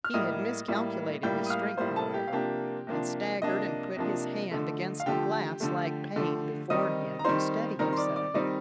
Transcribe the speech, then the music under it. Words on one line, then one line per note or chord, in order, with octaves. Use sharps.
He had miscalculated his strength, however, and staggered and put his hand against the glass like pane before him to steady himself.
F6
A2 G3 A#3 D#5 D#6
A2 G3 A#3
A2 G3 A#3 G5 G6
D#6
F5 F6
A2 G3 A#3 C5 C6
A4 A5
G4 G5
F5
C3 F3 A#3 D4 G4 G5
C3 F3 A#3 D4
C3 F3 A#3 D4 D#5
C3 F3 A#3 D4
D3 F3 A3
F5
D3 F3 A3 G4 G5
D3 F3 A3
D3 F3 A3
D#3 G3 C4 D#4 D#5 D#6
A#5
D#3 G3 C4 D#4 C5 C6
D#3 G3 C4 D#4 A#4 A#5
C6
D5 D6
D5 D6
D#3 G3 C4 D#4 D#5